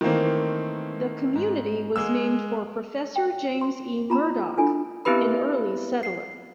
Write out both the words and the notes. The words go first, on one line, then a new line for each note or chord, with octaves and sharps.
The community was named for Professor James E. Murdoch, an early settler.
D#3 E3 A3 A#3 C4
G#2
G#3 A#3 E6
G5
C6
F4 A#5 B5
D4 E4 F4 A4 G#5
B3 C4 E4 G4 B4 B5
C7